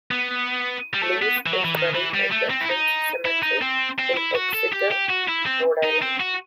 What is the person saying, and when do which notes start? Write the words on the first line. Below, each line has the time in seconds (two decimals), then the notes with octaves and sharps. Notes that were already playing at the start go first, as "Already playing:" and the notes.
Luz is buried at the Veterans Cemetery in Exeter, Rhode Island.
0.11 B3
0.94 G3
1.03 A3
1.22 B3
1.46 E3
1.52 F#3
1.65 E3
1.77 D#3
1.95 E3
2.15 G3
2.32 A3
2.51 C4
2.61 E4
2.69 D#4
3.25 E4
3.43 D#4
3.62 C4
3.99 C4
4.17 E4
4.35 F#4
4.54 A4
4.73 G4
4.91 G4
5.09 F#4
5.28 E4
5.46 C4
5.83 D#4
6.02 C4
6.20 F#4